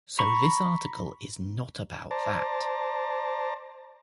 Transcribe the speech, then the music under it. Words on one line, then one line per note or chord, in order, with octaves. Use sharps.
So this article is not about that.
A#5 B5 C#6
C5 D5 A5 A#5